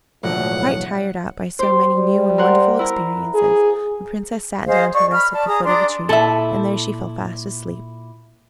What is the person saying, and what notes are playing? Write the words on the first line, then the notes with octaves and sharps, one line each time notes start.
Quite tired out by so many new and wonderful experiences, the Princess sat down to rest at the foot of a tree, and there she fell fast asleep.
E1 D2 A2 F3 F#3 A#3 F#5
G4 C5
G3
A#4 C5 F#5
E4 A#4 A#5
G#4
G#4 C5 D#5 F5
D5 C#6
B5 F6
D5 A5
G#4 A#5 D#6
D4 D5 A#5 C6
A#2 E4 A4 E5